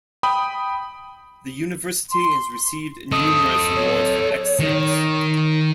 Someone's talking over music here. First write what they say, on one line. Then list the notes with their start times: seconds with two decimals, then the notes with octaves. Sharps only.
The University has received numerous awards for excellence.
0.23 G5 B5 D#6
2.11 C6
3.12 A4 D#5 D#6
3.75 C#5
4.59 D#3